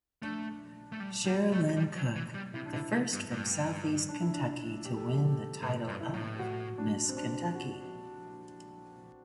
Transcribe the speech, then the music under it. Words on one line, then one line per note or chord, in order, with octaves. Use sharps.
Chera-Lyn Cook, the first from Southeast Kentucky to win the title of Miss Kentucky.
A3 D4
A3
G3
G3
A3
G3
F#3
E3
G3
C3 E4
D4
D3
E4
C3
G2
G2
D4
E4
D4
G4
A4
G4
A4
A2 B4
G2
E4
A2
F#4
D4
C4
D4
F#4